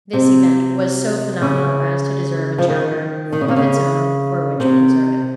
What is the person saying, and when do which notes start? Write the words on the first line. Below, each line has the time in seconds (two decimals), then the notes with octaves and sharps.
This event was so phenomenal as to deserve a chapter of its own, for which we reserve it.
0.13 C3
1.42 C#3
2.58 F3
2.69 D#3
3.32 D#3
3.41 C#3
3.48 C3
3.56 C#3
4.60 C3